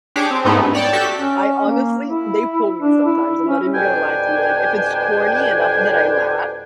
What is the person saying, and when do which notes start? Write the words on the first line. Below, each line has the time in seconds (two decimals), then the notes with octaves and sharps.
I, honestly they pull me sometimes. I'm not even gonna lie to you. Like, if it's corny enough that I laugh,
0.16 D4 G4 G#4 C#5 D6
0.31 C4
0.45 G#2 A3 B3 D#4 E4
0.56 G2
0.73 C#5 D5 G5 A5
0.93 F#4 G4 A4 E5 A5 B6
1.17 C#4
1.67 A#3
2.07 E4
2.80 D4
3.05 E4
3.48 C#4
3.75 F2 B2 G3 D4 G5 G#5